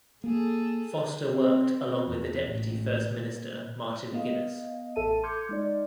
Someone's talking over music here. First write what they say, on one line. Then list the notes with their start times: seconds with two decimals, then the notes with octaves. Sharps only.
Foster worked along with the deputy First Minister Martin McGuinness.
0.24 A#3 G#4 A4
1.30 C4
2.06 E2
2.43 A1
3.10 A#2
4.13 B3 D#5 F5
4.95 A1 A4 E5 A5 D#7
5.23 C6 D6 F6 G6 G#6 C#7
5.49 G#3 D#4 D5